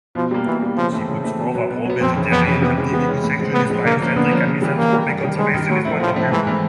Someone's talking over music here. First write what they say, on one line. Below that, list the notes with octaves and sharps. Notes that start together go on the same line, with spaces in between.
She puts forth a pro-vegetarian, anti-vivisectionist, biocentric, and misanthropic conservationist point of view.
B2 F3
G3 A#3
B2 E3
G3 A#3
C#3 F3
E3 A3 C4
C#3
E3 A3 C4
B2
F#3 B3
B2
F#3 B3
F2 C4
C#3 E3
F2 B3
C#3 E3
C3 B3
E3 G#3 C#4
C3 B3
E3 G#3 C#4
A2
F3 G#3 C4
A2 B3
F3 G#3 C4
D3 A#3
F3 A#3 C#4
D3 B3
F3 A#3 C#4
C#3
E3 G3
C#3 A#3
E3 G3
G2
D#3 G3
G2 G#3
D#3 G3
A2 F#3
F3 A3 C4 E4
A2 F3
F3 A3 C4 E4
G#2 E3
E3 A3 C4